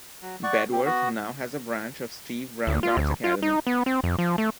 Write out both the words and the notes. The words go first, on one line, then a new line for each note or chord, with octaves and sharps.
Bedworth now has a branch of Steve Brown Darts Academy.
F#3
D5 F#5 C#6
C4 G4
B3 F#4
D2
F4
D2
F4
D#4
B3
C4
F2
F3
A3